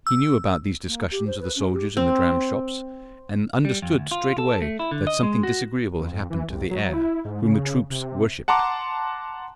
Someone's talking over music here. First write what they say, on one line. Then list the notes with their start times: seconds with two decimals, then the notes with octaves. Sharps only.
He knew about these discussions of the soldiers in the dramshops, and understood straightway that something disagreeable had happened to the heir, whom the troops worshipped.
0.07 E6
0.87 A#3
1.11 G4
1.27 C5
1.40 B4
1.56 C#4
1.72 G4
1.97 C4
3.65 G3
3.82 F2
3.98 D2
4.11 F4
4.38 A4
4.62 A3
4.79 E4
4.91 D3
5.07 D#5
5.23 G#3
5.43 F#4
5.99 F2
6.30 E3
6.49 C2
6.70 F#3
6.94 E4
7.25 G#2
7.42 C#3
7.91 C3
8.48 F#5 A5 A#5 C6 D6